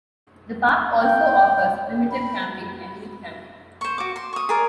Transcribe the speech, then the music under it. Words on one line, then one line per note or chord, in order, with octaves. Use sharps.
The park also offers primitive camping and youth camping.
G5
B5
C5 C#6
F#4 D6
C6
C#6 D#6
G#4 A#4 D5